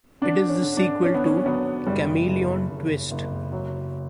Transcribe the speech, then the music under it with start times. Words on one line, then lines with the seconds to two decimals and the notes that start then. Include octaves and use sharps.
It is the sequel to "Chameleon Twist".
0.22 D3 D4
0.49 C#4
0.62 D3
0.77 D4
1.05 D3 C#4
1.14 B3
1.25 C#4
1.37 C#4
1.45 F#3 B3
1.87 F#1 G3
2.28 F#1
2.69 F#1
3.11 F#1
3.52 F#3